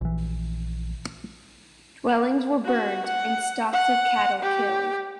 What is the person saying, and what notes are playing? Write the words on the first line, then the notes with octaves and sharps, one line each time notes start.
Dwellings were burned and stocks of cattle killed.
A#1 E3
F#4
F#5
F#5
G4